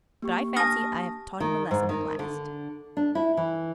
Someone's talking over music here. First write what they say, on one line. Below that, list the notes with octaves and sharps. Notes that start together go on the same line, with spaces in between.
But I fancy I have taught him a lesson at last.
A#3 G4 C#6
D4 A5 D#6 F6 A#6
D#3
G#2
D#3
D3
D4
E4
E3